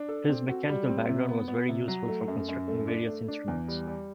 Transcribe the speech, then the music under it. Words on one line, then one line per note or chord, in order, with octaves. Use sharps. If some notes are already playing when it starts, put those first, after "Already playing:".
His mechanical background was very useful for constructing various instruments.
Already playing: D4
A4
C4
F#4
G3
C4
C3
B3
B3
C3
F#3
A3
F#2
F#2
A3
D4
A3
D4
E2
G3
G3